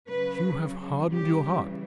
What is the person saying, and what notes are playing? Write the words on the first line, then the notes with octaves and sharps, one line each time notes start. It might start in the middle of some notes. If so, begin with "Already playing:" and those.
You have hardened your hearts.
C#3 F#3 B4
C#3 E3 G3 G4